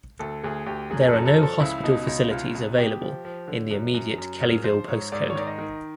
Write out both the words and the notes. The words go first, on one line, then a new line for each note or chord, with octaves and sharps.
There are no hospital facilities available in the immediate Kellyville postcode.
D2 A4
D2 G#4
D2 G4
F#2 G#4
G#4
A4
F#2
A4
F3
A4
C#2 E4
B2 D#4
C#2 D#4
C2 F4
C2
B2 G4
F3
F3
D3
F#2
F#2
F#2
G#2 A#4
F3 C5
G#2 C#5
G#2 D5
C#5
D#3 D5
D#5
D#3